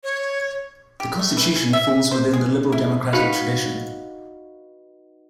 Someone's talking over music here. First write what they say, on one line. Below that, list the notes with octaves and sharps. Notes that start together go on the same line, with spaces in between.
The constitution falls within the liberal democratic tradition.
C#5
G4
A3
E3
C#4
E5
C5
G#4
E4
D#4 F#4 B4 F5